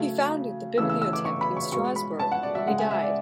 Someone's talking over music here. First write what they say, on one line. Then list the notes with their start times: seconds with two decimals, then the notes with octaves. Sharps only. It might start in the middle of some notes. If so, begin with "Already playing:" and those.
He founded the Bibliothek in Strasbourg, where he died.
Already playing: C#3 F#3 A3
0.78 C#3 E3 A3 E6
0.89 E6
1.02 E6
1.13 D6
1.25 C#6
1.41 B5
1.57 C#6
1.72 B2 G#3 C#6
1.96 B5
2.19 A5
2.32 F#5
2.43 D5
2.55 E5
2.67 C#3 G#3 F#5
2.79 G#5
2.91 E5
3.02 D5